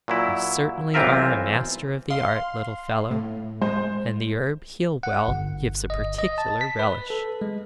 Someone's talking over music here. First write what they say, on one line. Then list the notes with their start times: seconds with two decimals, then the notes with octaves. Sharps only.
'You certainly are a master of the art, little fellow, and the herb heal-well gives a particular relish.'
0.08 A#2 F#3 E4
0.94 B1 E3 C4 F4 A#4 E5
2.10 F5 C6
3.11 A2
3.62 G#3 C5
5.03 F#5
5.28 G1
5.90 D#5
6.19 D#5
6.38 A5
6.61 B6
6.79 B4
7.10 A4
7.42 G#3